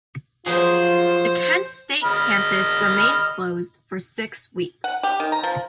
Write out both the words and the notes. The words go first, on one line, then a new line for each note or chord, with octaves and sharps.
The Kent State campus remained closed for six weeks.
F3 F#3 F4 G#4 C5
D#5 B5 F6
F#5
G4
D#3
A#5
F3